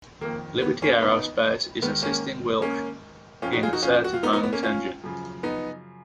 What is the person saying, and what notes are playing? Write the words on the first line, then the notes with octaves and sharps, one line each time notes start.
Liberty Aerospace is assisting Wilksch in certifying this engine.
F2 D#3 A#3
B3
A#3 C#4
B3 D#4
G#2 D#3 B3
A#3 C#4
A#3 C#4
F2 F3 C#4 F4
D#4 F#4
F4 G#4
D#4 F#4
C#4 F4
F#4
F4
B3 D#4
B3 D#4
B3
A#3 C#4
C#4 F4
F#2 C#3 F3
B3 D#4